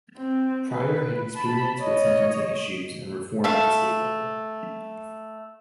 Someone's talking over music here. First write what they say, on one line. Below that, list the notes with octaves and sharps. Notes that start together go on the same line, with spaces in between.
Pryor had experience with sentencing issues and reform at the state level.
C4
B4
A5 B5
C#5 D#5
A3 E5 F5